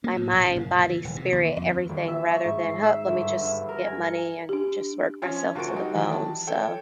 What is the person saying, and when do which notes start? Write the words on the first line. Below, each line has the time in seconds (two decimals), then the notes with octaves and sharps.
my mind, body, spirit, everything rather than, "Huh, let me just get money and just work myself to the bone." So
0.04 A#3
0.17 A2
0.33 A#1
0.45 C#3
0.56 F#1
0.71 A#2
0.89 E3
1.04 D#1
1.16 C3
1.32 D#2
1.57 F2
1.69 D2
1.89 D#1
2.08 E5
2.31 C#6
2.44 G#2
2.67 C7
2.83 E5
3.08 G1
3.23 E5
3.41 G2
3.69 A#4
3.85 G#5
4.03 C#7
4.49 D4 G4
5.22 F3 C#4 F4
5.55 D2 F4 F#4 A#4 C#6 D7
5.75 G3 D#4 F#4
5.95 D#3 E3 F#3
6.12 A5
6.47 A4 C#5 G5